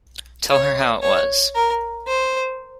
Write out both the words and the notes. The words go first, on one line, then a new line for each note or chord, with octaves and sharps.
Tell her how it was.
C#5
C#5
A#4
C5